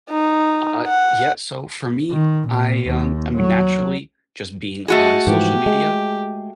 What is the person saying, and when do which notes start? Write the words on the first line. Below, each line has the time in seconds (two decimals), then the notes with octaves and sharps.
Uh, yeah, so for me, I, um I mean, naturally, just being on social media,
0.11 D#4
0.88 F#5
2.11 D#3
2.47 A#2
2.86 D#2
3.36 F#3
4.88 A3 F#4 G#4 D#5 A5
5.27 G#2 E3 F3 G4
5.66 G#3